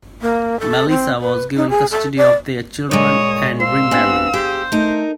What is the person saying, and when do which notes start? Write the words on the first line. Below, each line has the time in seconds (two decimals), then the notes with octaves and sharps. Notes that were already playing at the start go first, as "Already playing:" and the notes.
Melissa was given custody of their children and remarried.
0.22 A#3
0.60 A4
0.90 C4
1.21 B4
1.56 D#4
1.70 G#4
1.91 A4
2.17 D5
2.91 A#2 G#3 C#5 D#6
3.60 C5 F5 C6 E6
3.91 B3 C4 D4 G4 G#5
4.34 G4 G#4 C5
4.72 A3 D#4 A#4